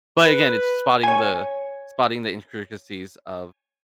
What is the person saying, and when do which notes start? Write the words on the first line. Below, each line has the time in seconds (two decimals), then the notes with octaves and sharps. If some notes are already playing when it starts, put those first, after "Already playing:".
But again, it's spotting the spotting the intricacies of
0.20 B4
1.03 C#5 G#5